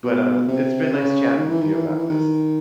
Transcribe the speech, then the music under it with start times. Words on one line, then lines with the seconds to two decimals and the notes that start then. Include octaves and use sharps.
But, uh, it's been nice chatting with you about this.
0.03 B2
0.48 C3
0.92 C#3
1.37 D#3
1.49 E3
1.61 D#3
1.73 E3
1.86 D#3
1.98 E3
2.10 D#3